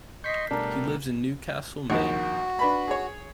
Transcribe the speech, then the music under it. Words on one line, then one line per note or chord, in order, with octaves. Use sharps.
He lives in Newcastle, Maine.
D#5 C6 C#6 G6 B6 C7
B2 G3 A3 D4 A#4
A#1 D#2 D#3 F#4
D4 B4 B5
G#4 C#5